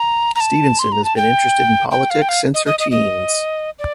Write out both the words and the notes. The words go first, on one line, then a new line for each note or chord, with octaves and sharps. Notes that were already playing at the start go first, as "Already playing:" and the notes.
Stevenson has been interested in politics since her teens.
Already playing: A#5
A#5
A5
C6
A#5
A5
G5
G5
F5
G5
F5
D#5
D#5
D#5
D#5
D5